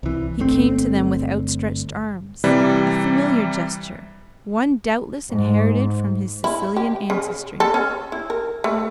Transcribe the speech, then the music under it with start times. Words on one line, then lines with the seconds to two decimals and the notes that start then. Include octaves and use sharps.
He came to them with outstretched arms--a familiar gesture, one doubtless inherited from his Sicilian ancestry.
0.03 C2 E3
0.40 G1 A3 C4
2.44 C3 E3 G3
5.30 G#2
6.44 E4
6.76 G4
7.10 C#3
7.60 A4
7.74 C#4
8.12 E4
8.30 A#4
8.64 A3